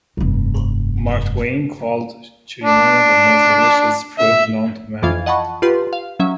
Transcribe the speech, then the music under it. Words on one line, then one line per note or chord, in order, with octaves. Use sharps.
Mark Twain called the cherimoya "the most delicious fruit known to men".
F1 G2
D4
E5
F2 E3 F4 F5 G#6
D#5 F#5 A5 B5 C#6
F4 G4 B4 C6
F5
F#3 C#4 E5